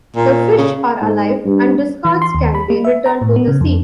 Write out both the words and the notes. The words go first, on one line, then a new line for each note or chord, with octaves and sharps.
The fish are alive and discards can be returned to the sea.
A#2
C#3
G#2
G2
E3
C6
D#2
B5
A#3
E5
A#5
A2
B3
C#3
F2